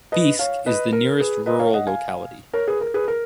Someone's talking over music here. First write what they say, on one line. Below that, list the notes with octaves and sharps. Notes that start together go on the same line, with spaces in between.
Biysk is the nearest rural locality.
B4 D#5
C#5 F5
B4 D#5
A#4
G#4 B4
B4 D#5
C#5 F5
D#5 F#5
F5 G#5
A#4 C#5
G#4 B4
A#4
G#4 B4
A#4